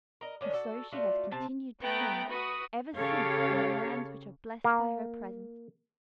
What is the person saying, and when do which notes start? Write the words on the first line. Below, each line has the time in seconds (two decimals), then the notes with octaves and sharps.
And so she has continued to sing ever since in the lands which are blessed by her presence.
0.21 A#4 D#5
0.41 D#3 C#4 D4
0.54 F#4 A4
0.92 A3 F4 F#4 D5
1.31 C3 C4 A5
1.81 A3 B3 G5 A#5 F#6 A6
2.29 F#4 B4 D#6
2.97 C#3 G4 A4 C#5 F5
4.64 A#3